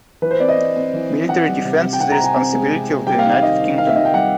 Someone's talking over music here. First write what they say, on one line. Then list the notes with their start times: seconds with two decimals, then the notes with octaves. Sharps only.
Military defence is the responsibility of the United Kingdom.
0.22 E3 B4
0.31 C5
0.40 C4 D5
0.49 D#5
0.58 C4
0.76 C4
0.93 E3
1.11 C4
1.29 E3 F#5
1.47 G3
1.64 C3
1.83 C4
1.93 G5
2.00 C3 F#5
2.12 A#5
2.18 C3
2.24 G#5
2.36 C4
2.53 G#3
2.71 C3
2.89 C3
3.07 G3 G5
3.19 F5
3.25 D#3
3.30 F5
3.42 D#3 D#5
3.60 D#3
3.78 D#3 F5
3.87 E5
3.96 D#3 D#5
4.05 G5
4.14 G3 F#5